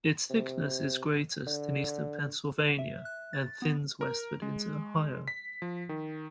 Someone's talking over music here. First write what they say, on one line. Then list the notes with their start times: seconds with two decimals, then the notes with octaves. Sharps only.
Its thickness is greatest in eastern Pennsylvania and thins westward into Ohio.
0.30 C3
1.47 D3
2.79 E5
3.05 F#6
3.33 A6
3.62 B3
4.01 A#4
4.42 G#3
5.28 B6
5.62 F3
5.89 D#3